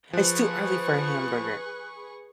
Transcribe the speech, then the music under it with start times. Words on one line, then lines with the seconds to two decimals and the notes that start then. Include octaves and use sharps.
It's too early for a hamburger.
0.13 F3 G#4 B4 C#6 F#6